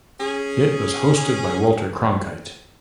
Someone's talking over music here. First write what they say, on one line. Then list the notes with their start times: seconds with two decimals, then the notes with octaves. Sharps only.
It was hosted by Walter Cronkite.
0.20 C#4 G#4